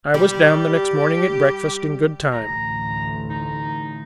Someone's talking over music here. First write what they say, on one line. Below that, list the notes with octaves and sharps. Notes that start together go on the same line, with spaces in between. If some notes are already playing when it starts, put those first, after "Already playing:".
I was down the next morning at breakfast in good time.
G3 G4
A1 D2 A#5
D#4